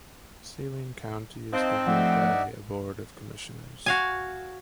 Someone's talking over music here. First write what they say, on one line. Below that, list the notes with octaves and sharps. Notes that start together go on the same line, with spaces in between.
Saline County is governed by a Board of Commissioners.
C4 D#4 C5 D#5 F5 A5 F#6
F3 A3 D#4 D5 E5 F#5
F#4 F5 G#5